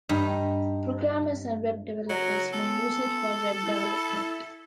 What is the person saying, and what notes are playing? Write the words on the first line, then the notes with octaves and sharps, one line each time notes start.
Programmers and web developers may use it for web development.
G2 D#4
F#1 F#3 A#5
B3 C#4 F4 A4
E4